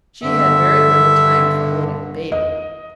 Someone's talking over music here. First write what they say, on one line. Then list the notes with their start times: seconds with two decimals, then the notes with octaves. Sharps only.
She had very little time for holding a baby.
0.23 G2 D3 E5
2.32 D#5